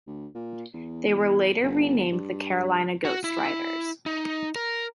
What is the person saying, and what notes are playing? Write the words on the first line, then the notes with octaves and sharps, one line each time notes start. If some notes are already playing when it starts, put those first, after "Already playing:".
They were later renamed the Carolina Ghostriders.
D2
A#2
E2
G1
G2
F#4
E4
D#4
A#4